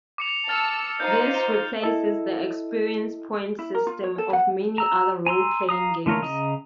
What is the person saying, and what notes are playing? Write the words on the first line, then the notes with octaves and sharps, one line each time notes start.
This replaces the experience points system of many other role-playing games.
D6 C#7 F7
A5 E6 F6 A6 C#7
D#4 F4 C5 G6
G7
E4 A4 D#5 E5
E4
A#4
F4
C#5
A4
F#5
A#5 E6
G#5 A#5 C6 E6
F5 A#5 D#6
D3 A3 F4 A#4 C#5
C#3 D#5 A#5